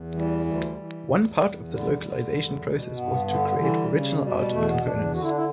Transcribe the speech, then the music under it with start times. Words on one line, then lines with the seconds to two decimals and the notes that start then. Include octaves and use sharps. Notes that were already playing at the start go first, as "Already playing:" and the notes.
One part of the localization process was to create original art and components.
Already playing: E2
0.14 E3 G3
0.45 D2 G3
0.77 E3
1.08 E2
1.39 E2
1.70 D3 G3
2.02 D3
2.33 E2
2.64 B2
2.96 G2 B3
3.27 D3 B3
3.58 E3 G3
3.90 C#3
4.21 B2 G3
4.37 G3
4.52 E2 A3
4.68 B3
4.84 E2 D4
5.15 D3 F#4
5.23 E4
5.29 D4
5.36 E4